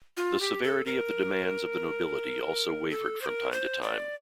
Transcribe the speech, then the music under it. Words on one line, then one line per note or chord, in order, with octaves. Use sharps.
The severity of the demands of the nobility also wavered from time to time.
F4
G4
A4
A#4
A4
C5
A#4
C5
D5